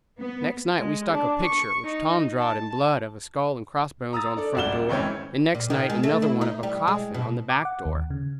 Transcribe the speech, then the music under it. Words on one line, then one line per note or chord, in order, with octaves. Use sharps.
Next night we stuck a picture, which Tom drawed in blood, of a skull and crossbones on the front door; and next night another one of a coffin on the back door.
B3
G#3
D4
C#6
D#4
A5
A#5 D#6 E6 A6
D4 A4 D5
D#1 G#1 F#4 D5 E7 G7
F2 G#2 D#3 E3 C4 C#4
A#2
D#3
G#3
A3
E4
D#4
G3
G#3
B2
D6
F#5
D#2
C#3